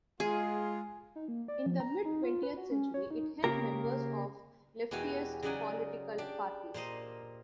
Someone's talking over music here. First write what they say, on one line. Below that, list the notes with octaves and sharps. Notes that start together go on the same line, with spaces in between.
In the mid twentieth century it held members of leftist political parties.
G#3 F4 G#4
D#4
A#3
D5
F3
A#5
D#4
F4
B4
F#4
C#4
C#5
D#4
C#3 A#3 G4 A#4
E2 B2 E3 F#4 G4 G#5
C#3 F#3 D#4 D5 F#5 G#5
D4 G4
A#2 A#3 C5 D#5